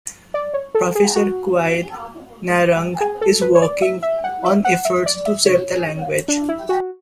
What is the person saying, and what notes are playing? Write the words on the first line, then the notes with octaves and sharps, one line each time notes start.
Professor Qian Nairong is working on efforts to save the language.
D5
C#5
A4
G#4
F#4
G#4
A4
B4
C#5
D5
E5
E5
F#5
E5
F#5
E5
D5
E5
C#5
D4
E4
F#4